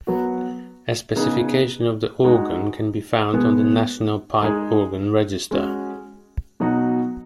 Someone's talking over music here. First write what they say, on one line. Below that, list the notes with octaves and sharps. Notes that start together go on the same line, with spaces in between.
A specification of the organ can be found on the National Pipe Organ Register.
F#3 B3 F#4
C#3 B3 D#4 G#4
G#3 D#4 F#4
B2 G#3 B3 G#4
G#3 D#4 G#4
G#3 C#4 F#4
B2 F#3 D#4 F#4